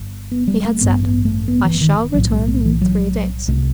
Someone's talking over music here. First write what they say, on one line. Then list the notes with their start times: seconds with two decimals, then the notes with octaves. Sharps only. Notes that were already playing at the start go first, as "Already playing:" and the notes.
He had said: "I shall return in three days."
Already playing: G1 G2
0.32 B3
0.48 G3
0.65 A3
0.81 A1 G2 B3
1.03 B3
1.25 A3
1.48 B3
1.64 E3
1.81 D#3
2.14 B1 A2 F#3
2.32 G3
2.48 A3
2.65 E3
2.81 F#3
3.48 C2 C3 A3